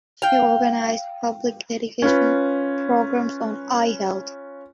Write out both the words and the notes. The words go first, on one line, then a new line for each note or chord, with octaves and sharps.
She organized public education programs on eye health.
F5 G5
C#4 F4 B4